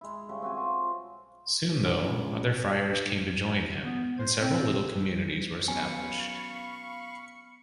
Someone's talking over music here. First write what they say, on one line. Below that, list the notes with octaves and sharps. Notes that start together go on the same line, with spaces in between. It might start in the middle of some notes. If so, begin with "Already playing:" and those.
Soon, though, other friars came to join him, and several little communities were established.
G#3 E4
C#3 G3 A3
C4 F#4 G#5
F4 G#5
D3
C#2
B3
C5
C4
F#3 B3 C#4 F5 G#5 B5 C#6